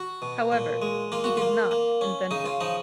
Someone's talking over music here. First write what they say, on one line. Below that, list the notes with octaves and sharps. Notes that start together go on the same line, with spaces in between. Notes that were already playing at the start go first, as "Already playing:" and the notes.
However, he did not invent it.
Already playing: F#4
B2
A#2
G#3
A#3 F4
F#4
A#3 F4
A#3
C#4
C#3 D#4
F4
F3 D#4